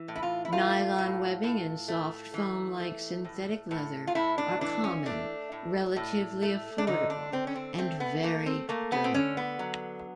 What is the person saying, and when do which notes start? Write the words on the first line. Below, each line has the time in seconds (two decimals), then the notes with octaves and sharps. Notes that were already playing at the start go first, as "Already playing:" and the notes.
Nylon webbing and soft foam-like synthetic leather are common, relatively affordable, and very durable.
Already playing: E3
0.08 A2
0.15 E4
0.23 F4
0.45 E4
0.52 A3 F4
0.98 A2
1.44 A2
1.88 A3
2.34 E3
2.80 A3
3.25 A2
3.71 A2
4.07 F4
4.15 A2 E4
4.38 D4
4.61 E3 D4
4.84 C#4
5.06 A3 D4
5.52 A2
5.96 A2
6.42 A3
6.78 D4
6.87 D3 D#4
7.10 D4
7.32 D3 C4
7.47 C#4
7.55 C4
7.78 A3 C4
8.00 B3
8.23 A3 A#3
8.46 C4
8.69 A3 A#3
8.92 B3
9.04 C4
9.14 D3 C#4
9.37 B3
9.59 F#3